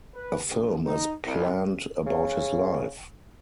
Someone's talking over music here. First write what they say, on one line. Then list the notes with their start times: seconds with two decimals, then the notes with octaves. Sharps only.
A film is planned about his life.
0.14 B4
0.49 A#1
0.85 D#4
1.25 C2
2.06 C#3